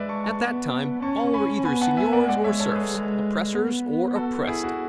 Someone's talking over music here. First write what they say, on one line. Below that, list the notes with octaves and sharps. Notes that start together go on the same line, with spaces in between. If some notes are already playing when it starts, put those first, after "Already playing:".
At that time, all were either seigniors or serfs, oppressors or oppressed.
Already playing: G#3 B4 D5 E5
A5 C#6
A5 C#6
B3
C#4 A5 C#6
C#6
G#5 B5
B3 G#5 B5
F#5 A5
E5 G#5
D5 F#5
G#3 D5 F#5
C#5 E5
A4 C#5
G#4 B4
G#3
B3
F#4 A4
E4 G#4
F#4